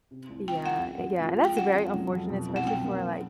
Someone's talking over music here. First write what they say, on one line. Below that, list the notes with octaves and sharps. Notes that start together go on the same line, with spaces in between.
Yeah. Yeah and that's very unfortunate, especially for, like,
C3
C2
F3 G5
C2 F#5
C#3
F2
F3
G#3
G5
C#3 F#5
F2
F#3
F2
B2
C2
F#5
F#3 G5
A#3
C#3